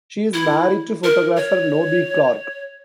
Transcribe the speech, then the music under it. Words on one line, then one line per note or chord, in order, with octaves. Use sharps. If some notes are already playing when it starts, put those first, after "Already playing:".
She is married to photographer Nobby Clark.
E4
A#4
C#5